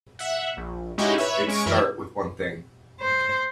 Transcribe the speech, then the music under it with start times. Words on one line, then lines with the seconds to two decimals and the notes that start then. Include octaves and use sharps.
It start with one thing.
0.19 E5 F#5
0.57 A#1
0.98 G#3 C#4 D#4 E4 F#4 G4
1.18 B4 C#5 E5
1.47 G#3 C#4 C#6 D7
1.66 F#2 E3 A#4 E5
3.00 C5